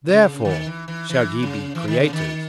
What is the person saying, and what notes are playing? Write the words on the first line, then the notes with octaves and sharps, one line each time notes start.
Therefore shall ye be creators!
B2
C#3
D#3
E3
E3
E3
C#3
E3
D#3
C#3
D#3